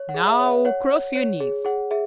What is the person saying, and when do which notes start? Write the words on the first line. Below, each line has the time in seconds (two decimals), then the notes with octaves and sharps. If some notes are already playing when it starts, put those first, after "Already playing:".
"Now cross your knees."
Already playing: C#5
0.09 F#5
0.14 G#4
0.27 E5
0.40 C#5
0.46 E5
0.65 C#5 F#5
0.90 C#5
1.15 C#5
1.40 G#4
1.65 G#4 F#5
1.91 G#4 E5